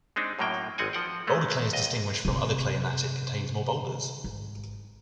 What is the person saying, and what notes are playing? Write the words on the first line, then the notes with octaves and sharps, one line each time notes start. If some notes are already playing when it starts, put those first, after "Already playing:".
Boulder clay is distinguished from other clay in that it contains more boulders.
G#3 C4 D4 D#4
F#2 A2 F#3 A#3 G5
G#1 G#3 C4 F#5 G#5
F3 F#5 G5
G#3 A3
C#2 D#5
C3 C4
G#1